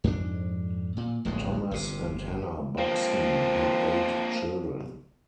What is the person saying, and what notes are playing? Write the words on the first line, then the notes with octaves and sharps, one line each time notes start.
Thomas and Hannah Buxton had eight children.
F2 G#2 D4
A#2
D1 A#1 D#2 G#3
G1 C3
F3 A#3 C4